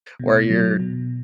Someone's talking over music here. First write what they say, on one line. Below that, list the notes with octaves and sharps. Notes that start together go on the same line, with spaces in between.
where you're
B2
F#3
B2